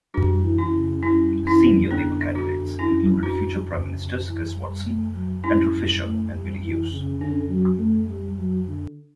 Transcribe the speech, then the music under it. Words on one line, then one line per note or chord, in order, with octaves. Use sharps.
Senior Labour candidates included future Prime Ministers Chris Watson, Andrew Fisher and Billy Hughes.
G3 D4 F#4
E3
C#4 E4
C#3
G3 C#4 E4
E3 C#4 E4
D3 B3 D4
D4 F#4
C#4 E4
D4 F#4
C#3
C#3
E3
G3
A3
F#3
G3 C#4 E4
G3
A3
G3
E3
C#3
D3 C#4
F#3
A3
G3
F#3
D3